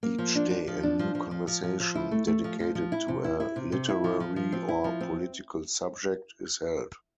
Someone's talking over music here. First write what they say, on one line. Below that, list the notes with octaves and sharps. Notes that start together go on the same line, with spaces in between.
Each day a new conversation, dedicated to a literary or political subject, is held.
A#3
F3
D4
D4
F3
D4
F3
F3
F3
F3
F3
F3
E4
A3
A3
F3
F3
F3
E4
C3
E4
E4
C3
C3
E4
F3
F3
F3
C4
E4
F3
C4